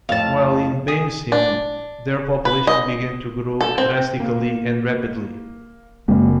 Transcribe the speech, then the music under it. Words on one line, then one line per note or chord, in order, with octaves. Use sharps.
While in Bamessin, their population began to grow drastically, and rapidly.
F2 A2 F5 A5
G#4
D4
B4
D#5
A4
C4
A#3
F#1 G#3 A#3 C4